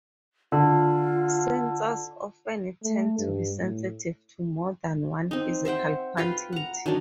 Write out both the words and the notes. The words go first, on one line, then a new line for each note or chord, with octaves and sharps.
Sensors often tend to be sensitive to more than one physical quantity.
D3 F4
A3
G2
A2
C4 D#4
C5 E5 F#5 G5
F4 B4 F5 G5
F#5 A#5
D#3 F#3 D4 C#5